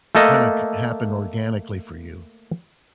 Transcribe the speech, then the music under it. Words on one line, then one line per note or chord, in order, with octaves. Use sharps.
kinda c happen organically for you?
A3 A#3 A4 D#5